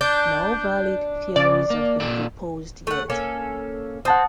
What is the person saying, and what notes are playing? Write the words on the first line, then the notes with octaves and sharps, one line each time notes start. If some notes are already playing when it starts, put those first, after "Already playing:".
No valid theories have been proposed yet.
D4 G6
C#3 D5
A#3
A#2 A4 D5
A3 F#5
A#3 C#4 A4
C4 F#5 A5 D#6